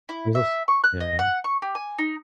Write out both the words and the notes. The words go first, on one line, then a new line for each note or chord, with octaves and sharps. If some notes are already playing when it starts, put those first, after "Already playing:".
This was Yeah.
E4
E5
C#6
F#6
D#5
F#5
C#6
G4
G#5
D#4